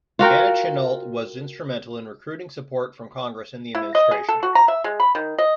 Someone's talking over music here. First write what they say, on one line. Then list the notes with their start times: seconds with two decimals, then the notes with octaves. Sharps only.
Anna Chennault was instrumental in recruiting support from Congress and the Administration.
0.19 F4 F#4 A#4 G5
3.75 E4
3.95 D#5
4.11 G#4
4.29 A4
4.43 F#4
4.55 A#5
4.68 E5
4.84 G#3
5.00 B5
5.15 D#3
5.38 D#5